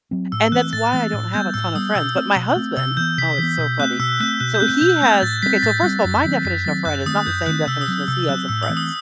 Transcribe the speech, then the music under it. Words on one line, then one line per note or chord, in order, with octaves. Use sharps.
and that's why I don't have a ton of friends, but my husband oh, it's so funny. So, he has okay, so, first of all, my definition of friend is not the same definition as he has of friends
F#3 C4
A2 E6
E3 A3 C4 F#6
A2 A6
E3 A3 C4
A2 A6
G3 B3 G6
A2 E6
G3 B3 D#6
B2 E6
A3 C4
B2
A3 C4
C3 E6
E3 B3 G6
C3 B6
E3 B3
B2
A3 C4 F#6
B2 E6
A3 C4 F#6
B2 F#6
G6
A3 C4 F#6
B2 G6
A3 C4 G6
A2 A6
G3 C4 B6
A2 A6
G3 C4
F#2 A6
D#3 F#3 C4
F#2 B6
D#3 F#3 C4 A6
F#2 F#6
D#3 A3 C4 D#6
F#2 G6
D#3 A3 C4 F#6
C3 E6
D#6
F#3 C4
C3 E6
F#3 C4 F#6
A2 E6
D#6
E3 A3 C4
D#6